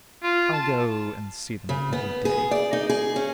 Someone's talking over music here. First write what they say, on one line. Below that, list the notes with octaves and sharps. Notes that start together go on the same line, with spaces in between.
I'll go and see them every day.
F4
A5
C#3
B3
G#4
D5
D#4
G#4
C#4